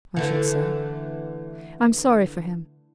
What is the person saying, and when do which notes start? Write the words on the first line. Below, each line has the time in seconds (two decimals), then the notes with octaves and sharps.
I should say. I am sorry for him.
0.16 D3 E3 A3